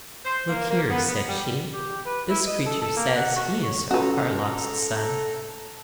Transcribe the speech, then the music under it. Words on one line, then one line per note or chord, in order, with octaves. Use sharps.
'Look here,' said she, 'this creature says he is our lost son.
C5
A#3
A#3
B3
B3
G3
G4
B4
E4
D#5
A4
A4
A#3
F#5
F#4
C#5
C#4 F4 F#4 A4 B4 A#5